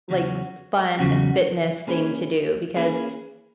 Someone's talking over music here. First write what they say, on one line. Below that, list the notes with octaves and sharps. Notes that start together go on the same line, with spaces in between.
like, f fun, fitness thing to do, because
E2 C#3 F#3 C#4 F#4
E2 C#3 F#3 C#4 F#4
A#3 C#4 G#4 B4
A#3 C#4 G#4 B4